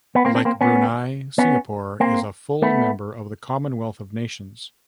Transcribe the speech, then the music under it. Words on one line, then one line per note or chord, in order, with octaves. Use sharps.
Like Brunei, Singapore is a full member of the Commonwealth of Nations.
B3
A#3 C4
C4 D4
A#3 C4
B3 C#4
B3 C#4
A#3 C4
A3 B3